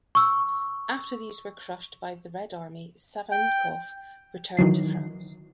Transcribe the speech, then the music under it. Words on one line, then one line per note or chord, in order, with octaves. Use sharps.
After these were crushed by the Red Army, Savinkov returned to France.
C#6 E6
G5
D#3 E3 F#3 C7